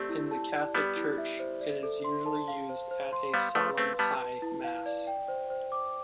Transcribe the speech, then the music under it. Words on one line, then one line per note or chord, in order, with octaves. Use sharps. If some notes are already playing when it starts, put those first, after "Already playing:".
In the Catholic Church, it is usually used at a Solemn High Mass.
Already playing: A3 C4 G4 D5
E4
A5
D5
G3 B3 G4
E4
E5
C5
D5
A4
C6
A5
F5
C5
C5
C6
G3 B3 F5
F3 A3 B4
A3 C4 B4
G3 B3 A5
B4
E4
F5
D5
G5
C5
C5
D6